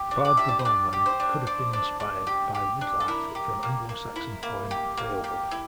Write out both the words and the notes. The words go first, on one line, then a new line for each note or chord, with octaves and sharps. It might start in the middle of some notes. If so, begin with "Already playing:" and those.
Bard the Bowman could have been inspired by Wiglaf from Anglo-Saxon poem "Beowulf".
Already playing: G4
D4
D5
G4 E5
D5
C5
D4 D5
G4
C5
D4
D4
D4
D4
G4
G4
D4
A4
E4 A#4
G4
A#3
A#3
E4
A#3
G4
A#3
G4
E4